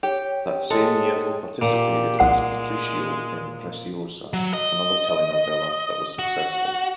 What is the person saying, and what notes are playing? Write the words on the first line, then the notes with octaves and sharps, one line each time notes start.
That same year, he participated as "Patricio" in "Preciosa", another telenovela that was successful.
G4 C#5 G5
G#3 A4
A#2 G4
C2 G#3 F#5 C7
F#3
D#5
F#4